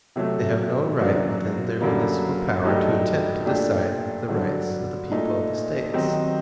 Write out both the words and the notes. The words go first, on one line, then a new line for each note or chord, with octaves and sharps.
They have no right within their municipal power to attempt to decide the rights of the people of the States.
C3 F#3 A3
F#2 F#3 A#3 D4 F#4
F#2 D3 G3 A#3
G2 F#3 A3 D#4 G4
A#2 A3 D4 G4
G2 D3 F#3
A#2 A3 D#4
D#3 F#3 C4 D#4 G4